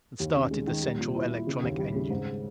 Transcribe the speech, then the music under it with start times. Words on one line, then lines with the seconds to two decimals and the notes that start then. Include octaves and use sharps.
And started the central electronic engine.
0.20 D#2
0.35 C#4
0.51 G#3
0.67 D#3
0.83 G3
0.99 A#2
1.15 E4
1.31 E4
1.47 C#3
1.63 D#2
1.78 G3
1.95 C#3
2.10 G#2